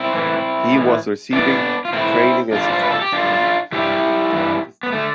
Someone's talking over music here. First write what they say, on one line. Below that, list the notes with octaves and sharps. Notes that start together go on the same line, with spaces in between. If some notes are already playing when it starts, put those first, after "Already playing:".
He was receiving training as a flight surgeon at the time of his death.
Already playing: C4 E4
A2 E3
A2
E3
A2 E3 B3 D4
F4
A2 E3 C4 E4
G2 D3 D4 F4
C5
B4
A4
G4
G2 D3 D4 F4
G2 E3 E4 G4
G2 E3
B3
D3 A3